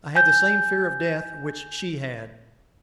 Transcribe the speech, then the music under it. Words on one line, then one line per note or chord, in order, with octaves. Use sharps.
I had the same fear of death which she had.
G#5 G6